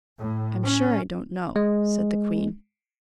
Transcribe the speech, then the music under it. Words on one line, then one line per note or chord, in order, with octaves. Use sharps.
"I'm sure I don't know," said the queen.
A2
C#4
G#3